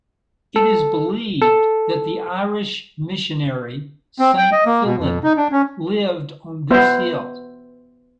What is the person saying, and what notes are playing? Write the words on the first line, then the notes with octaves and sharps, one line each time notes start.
It is believed that the Irish missionary Saint Fillan lived on this hill.
A4
A4
C4
G5
D#5
A#3
B2
F2
D#4
D4
C#4
B3 C5 E5